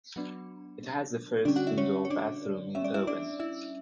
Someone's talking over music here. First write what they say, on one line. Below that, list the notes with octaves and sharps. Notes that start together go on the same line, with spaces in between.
It has the first indoor bathroom in Erwin.
F#3 B3 D4
D3 G3 C#4 D4 D5
F#4 F#5
E4 E5
C#4 C#5
C#5
D4 D5
G3 C#4 E5
D5
E4 E5
D4 D5
E4 E5